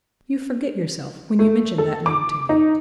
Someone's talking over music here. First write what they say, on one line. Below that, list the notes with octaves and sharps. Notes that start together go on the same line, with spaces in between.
"You forget yourself when you mention that name to me."
A3
A4
D6
D#4